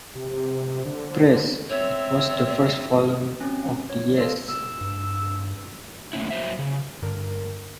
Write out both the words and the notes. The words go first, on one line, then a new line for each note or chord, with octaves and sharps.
Press, it was the first volume of the Yes!
C3 G4
D3 C5
C4 C#5 E5
C4 C#4
C#5
A4 D#5 F5 C6
E6
G2
A3 A#3 C#4 E4
F#3 C5 E5
C#3
G2 D3 A#4